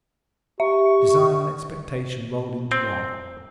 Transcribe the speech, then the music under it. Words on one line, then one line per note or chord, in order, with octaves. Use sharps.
Desire and expectation rolled into one.
G4 E5 C#6
C4